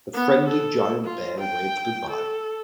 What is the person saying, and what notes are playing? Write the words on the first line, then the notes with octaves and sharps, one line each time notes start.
The friendly giant bear waved goodbye.
B3
A4
F4
G5
A4